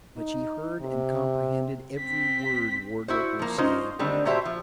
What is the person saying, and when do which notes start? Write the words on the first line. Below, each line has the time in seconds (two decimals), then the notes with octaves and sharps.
But she heard and comprehended every word Wardrop was saying.
0.17 D#4
0.81 C3
2.00 C4 B6
3.08 E4 F#4 C5
3.39 F3 A#3
3.58 C#4 D#4 F4 C5
3.99 D3 D#3 G3 A3 C4
4.25 A#2 F#4 G4 C5 E5 A5
4.45 F3